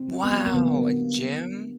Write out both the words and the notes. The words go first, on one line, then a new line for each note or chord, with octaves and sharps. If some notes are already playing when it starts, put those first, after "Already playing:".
Wow. A gym?
Already playing: C#3 C4
F#3
B3
F#3
A#3
D3 B3
G3